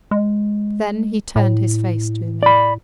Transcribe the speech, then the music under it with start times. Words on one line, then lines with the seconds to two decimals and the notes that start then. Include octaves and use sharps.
Then he turned his face to me.
0.11 G#3
1.36 A2
2.43 D5 B5